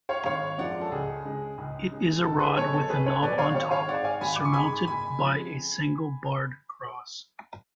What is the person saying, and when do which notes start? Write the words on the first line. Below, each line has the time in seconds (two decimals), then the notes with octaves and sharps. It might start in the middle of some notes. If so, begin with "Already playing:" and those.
It is a rod with a knob on top surmounted by a single-barred cross.
0.09 C#5 F5
0.26 G#1 C#5 F5
0.58 F#2 F3 G#3 D5 F#5
0.81 A4
0.92 C#2 G#4
1.25 C#3 G#3
1.58 C#2
1.91 C#3 G#3
2.24 C#2 A4
2.39 G#4 B4
2.56 B2 F#3 A4 C#5
2.73 A4
2.89 C#2 G#4 B4
3.06 A4 C#5
3.22 B2 F#3 B4 D5
3.38 C#5 F5
3.54 G#1 C#5 F5
3.71 C#5 F5
3.87 G#2 G#3 D5 F#5
4.04 F5 G#5
4.21 G#1 G#5 B5
4.36 D6
4.45 C#6
4.53 G#2 G#3 G#5 B5
4.87 F#1 G#5 B5
5.19 F2 C#3 F3 G#3